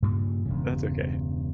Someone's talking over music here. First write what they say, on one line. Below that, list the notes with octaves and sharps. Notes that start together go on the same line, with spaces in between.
That's okay.
G2 A#2 C#3 G3
E1 G2 C#3